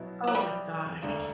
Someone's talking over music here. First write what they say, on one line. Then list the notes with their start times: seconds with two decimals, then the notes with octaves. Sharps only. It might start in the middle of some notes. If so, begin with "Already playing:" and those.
Oh, my gosh.
Already playing: B2 F#3 B3 E4
0.27 F#3
0.35 G3
1.02 E1 D2 D3